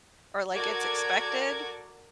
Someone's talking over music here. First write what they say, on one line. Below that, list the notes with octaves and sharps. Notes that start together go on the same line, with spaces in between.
or like, it's expected,
F#4 A4 A#4 D5 D6 G#6